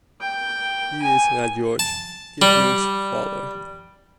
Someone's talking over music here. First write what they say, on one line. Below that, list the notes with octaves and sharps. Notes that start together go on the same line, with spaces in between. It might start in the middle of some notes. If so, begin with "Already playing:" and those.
He is Rudyard Kipling’s father.
G5
G#5
A5
G3